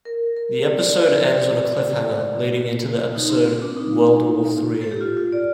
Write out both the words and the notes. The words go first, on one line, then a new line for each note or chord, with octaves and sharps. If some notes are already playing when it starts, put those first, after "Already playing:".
The episode ends on a cliffhanger, leading into the episode "World War Three".
A#4
A#4
D5
D#4
C4
C4
D4
D#4
A4
G4
F4
F4
D5